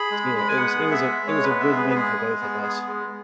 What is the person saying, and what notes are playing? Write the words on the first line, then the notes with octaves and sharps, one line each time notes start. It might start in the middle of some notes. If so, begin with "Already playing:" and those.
yeah, it was it was a it was a win-win for both of us
Already playing: G#4 B5
G#3
G#3 B5
G#5
B3 F#5
G#4
E5
G#3
G#3 C#5
B4
B3
E5
G#4
B4
B4
G#3 G#4
G#3
B3
G#4
G#3